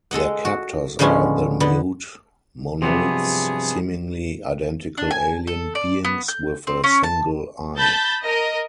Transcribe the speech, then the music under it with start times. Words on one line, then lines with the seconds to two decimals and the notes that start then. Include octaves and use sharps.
Their captors are the mute Monoids, seemingly identical alien beings with a single eye.
0.11 G#3 A4 D#5 F#5
0.45 F#4
0.99 A2 D3 F3 G#3 B3 C#4
1.60 D3 B3
2.82 G2 C3 F3 F#3 B3 C4 G#4
4.97 D4
5.11 G#5
5.47 A4
5.75 D5
6.04 B3
6.28 G6
6.67 C4
6.84 C#4
7.03 A5
7.77 A5 B5 G6 A6
8.23 A#4 D#5